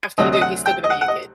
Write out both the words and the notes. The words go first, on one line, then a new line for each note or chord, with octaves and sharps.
After you do, he's still gonna be your kid.
D2 C3 F#3 D#5
D#5
F#5
G5
D#5
F#5
F#5
D#5